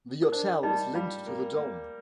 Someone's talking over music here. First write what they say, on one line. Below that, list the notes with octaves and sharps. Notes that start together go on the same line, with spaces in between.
The hotel is linked to the Dome.
A#4
D4 C5
G3 D#4 D#5
G3 F4 F5
A#3
A#3